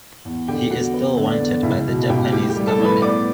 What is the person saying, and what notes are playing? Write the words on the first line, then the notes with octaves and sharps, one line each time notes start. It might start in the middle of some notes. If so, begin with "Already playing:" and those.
He is still wanted by the Japanese government.
E2
D3 G4 G5
E2 F#4 F#5
B3
D3
D5
E2
C#2 E4 E5
B2
C#2 G4 G5
A2 G4 G5
G4 G5
G3
A4 A5
A2
B4 B5
B3 D5 D6